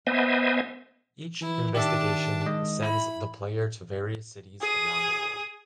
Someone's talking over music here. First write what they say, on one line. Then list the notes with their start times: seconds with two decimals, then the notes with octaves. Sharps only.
Each investigation sends the player to various cities around the world.
0.07 B3 C5 D#5 E5 G#5
1.41 E3 E4
1.75 D#3 D4 G4 D5 E5 A5
2.46 G#3 D#5
2.82 E4 B5
4.61 G#4 D#6